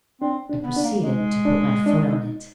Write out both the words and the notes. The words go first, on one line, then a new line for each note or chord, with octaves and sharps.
I proceeded to put my foot on it.
C4 D4
D4
B3
D4
A#3
G#3 D#4
D4
D4
D#4